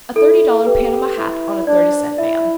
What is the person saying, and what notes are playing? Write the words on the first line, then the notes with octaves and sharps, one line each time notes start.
A thirty-dollar Panama hat on a thirty-cent man.
E4 A4
G4 B4
E4
D4 D5
E4 E5